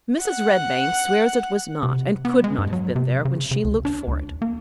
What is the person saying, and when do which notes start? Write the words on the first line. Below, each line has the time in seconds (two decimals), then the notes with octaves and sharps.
Mrs. Redmain swears it was not, and could not have been, there when she looked for it.
0.23 F#5 F#6
1.83 C3
2.25 B3
2.44 G#3
2.58 G2
2.73 F#3
2.96 C3
3.25 C#3
3.51 C#3
3.65 D2
3.85 D4
4.08 D2
4.42 A#3